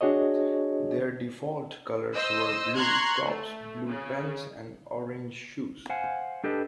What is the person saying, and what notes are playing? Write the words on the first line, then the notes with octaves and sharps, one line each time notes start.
Their default colors were blue tops, blue pants and orange shoes.
D4 F#4 G#4 C#5 D#5
C5 D#5 E6
A#5 C6 C#6 F#6 G#6
A3
C#3
C5 F5 F#5 G#5
D4 G4 A4 B4 D#5